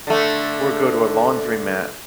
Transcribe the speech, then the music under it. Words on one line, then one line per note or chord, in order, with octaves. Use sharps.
Or go to a laundromat,
D3 A3